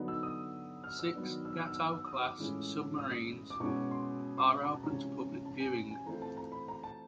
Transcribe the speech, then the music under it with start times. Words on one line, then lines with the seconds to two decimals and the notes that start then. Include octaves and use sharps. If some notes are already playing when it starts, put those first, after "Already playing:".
Six "Gato"-class submarines are open to public viewing.
Already playing: D3 F#3 B3 D#4
0.08 E6
0.23 D#6
0.84 F6
0.99 E6
1.14 D#3 F#3 B3 D4
1.45 E6
1.56 F6
1.67 E6
1.76 F6
1.92 E6
2.07 D#6
2.23 D6
2.38 A2 E3 G#3 C#4 F4
2.99 D#6
3.50 D6
3.60 B2 G#3 C#4 E4 C#6
3.91 C6
4.37 C6
4.53 B5
4.62 A#5
4.73 A5
4.83 C3 E3 G#3 C#4 F4 A#5
5.45 A5
5.60 G#5
5.91 G#5
6.06 E3 A3 C4 F4 A#5
6.22 A5
6.37 A#5
6.52 B5
6.68 A#5
6.83 A5